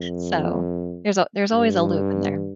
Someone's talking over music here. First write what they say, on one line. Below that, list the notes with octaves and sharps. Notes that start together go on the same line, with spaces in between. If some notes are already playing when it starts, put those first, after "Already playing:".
So, there's a there's always a loop in there.
Already playing: F2
G2